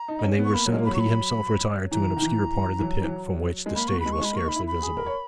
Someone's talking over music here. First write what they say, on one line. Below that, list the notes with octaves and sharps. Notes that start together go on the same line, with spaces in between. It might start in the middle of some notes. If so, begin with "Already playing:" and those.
When they were settled he himself retired to an obscure part of the pit, from which the stage was scarcely visible.
Already playing: A#5
D#4
D#4
C#4
B3
C#6
A#3 B5
F#3
G#3
A#3
F#3 B5
C#6
B5
E3 A#5
E3
D#3
E3
E3
E3
F#3
E3
F#3
G#3
A#3 B5
B3 C#6
B5
G#3
C#6
G#3 B5
A#3 C#6
D#4 B5
E4
B5
G#4
A#4
C#5